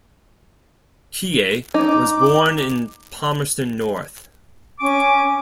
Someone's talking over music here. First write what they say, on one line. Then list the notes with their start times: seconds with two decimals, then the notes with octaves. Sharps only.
Keay was born in Palmerston North.
1.74 D#4 D6
4.79 C#4 G#5 C#6 D6